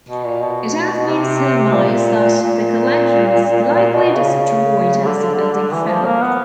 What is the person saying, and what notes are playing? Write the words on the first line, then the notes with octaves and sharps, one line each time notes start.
It has been surmised that the collection was likely destroyed as the building fell.
B2
A#2
B2
C3
A#2
A#2
A#2
B2
C#3
D3
E3
F3
A#3
B3